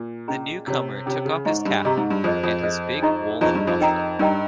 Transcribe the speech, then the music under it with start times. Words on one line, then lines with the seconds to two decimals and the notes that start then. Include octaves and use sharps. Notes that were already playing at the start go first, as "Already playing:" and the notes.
The newcomer took off his cap and his big woollen muffler.
Already playing: A#2
0.28 C#4 G#4 D#5 A#5
0.67 C3 C#4 F4 G#4 C#5
1.06 C3 C#4 F4 G#4 C#5
1.25 C#3
1.45 G#2 G#4 D#5 A#5 C#6
1.65 G2
1.85 C3 G#4 D#5 A#5 C#6
1.98 G#2
2.10 G2
2.24 F2 G#4 C5 D#5
2.43 F2
2.63 G#4 C5 D#5
3.02 D#4 G#4 D#5 A#5 C#6
3.41 F2 D#4 G#4 D#5 A#5 C#6
3.55 G2
3.67 F2
3.80 D#4 A#4 D#5 G5 A#5
4.19 G2 D#4 A#4 D#5 G5 A#5